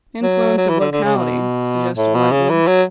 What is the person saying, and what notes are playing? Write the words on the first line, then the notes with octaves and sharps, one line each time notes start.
'Influence of locality,' suggested Lightwood.
F#3
F#3
E3
D3
D3
C#3
B2
A2
B2
C#3
E3
F#3